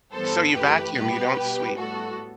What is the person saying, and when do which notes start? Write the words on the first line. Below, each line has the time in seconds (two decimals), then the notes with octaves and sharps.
So you vacuum, you don't sweep.
0.12 G2 E3 B3 A4 C5
0.52 F#2 E3 A3 G4 B4
0.94 B2 G3 B3 G4 B4
1.35 B2 G3 B3
1.77 A2 G3 B3 F#4 A4